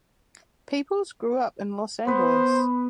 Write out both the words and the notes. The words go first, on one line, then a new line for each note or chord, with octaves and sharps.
Peoples grew up in Los Angeles.
B3 B4 C5